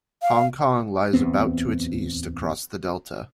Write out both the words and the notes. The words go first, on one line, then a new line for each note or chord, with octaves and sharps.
Hong Kong lies about to its east across the Delta.
F5
D1 E2 B3 C4